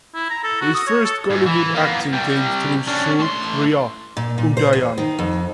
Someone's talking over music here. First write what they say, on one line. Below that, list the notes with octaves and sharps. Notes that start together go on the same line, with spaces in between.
His first Kollywood acting came through "Suriya Udayan".
E4
A#5
A4
F#4
D#6
C#5
A4
G#2
E3
A#3 B3
C3 G3
C#4 D4
A2 C6
A#2
A#2
C5
E2
D#3
F2